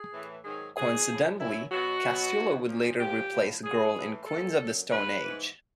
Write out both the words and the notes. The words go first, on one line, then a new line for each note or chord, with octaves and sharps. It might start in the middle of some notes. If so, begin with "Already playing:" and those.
Coincidentally, Castillo would later replace Grohl in Queens of the Stone Age.
Already playing: G#4
A2 E3
G#2 D#3 F#3 G#4
G#2 D#3 F#3 G#4
A2 F3
F#2 D#3 F#3 E4
B2 F#3 F#4
B2 F#3
G#2 F3
A#2 F3
A#2 F3 G4
A2 F3
A#2 F#3 G#4
A2 E3
A#2 F3 A4
F#2 D3 F#3
G2 D3 F3 B4
G#2 E3